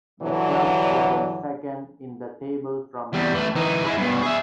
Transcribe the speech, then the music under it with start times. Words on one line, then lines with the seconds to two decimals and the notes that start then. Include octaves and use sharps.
The club were in second in the table from eight matches.
0.22 G2 D3 E3 F#3
3.13 E2 G3
3.34 E3 A3
3.55 E3 D#4
3.83 G#3 E4
3.98 G2 B2
4.22 G#4 E5